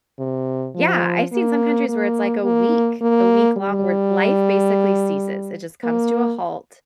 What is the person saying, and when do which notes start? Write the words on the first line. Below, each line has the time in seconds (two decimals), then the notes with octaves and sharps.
yeah, I seen some countries where it's like a week, a week long where life basically ceases. It just comes to a halt,
0.19 C3
0.75 F3
1.32 A#3
1.88 A#3
2.44 A#3
3.01 A#3
3.57 G3
5.84 A#3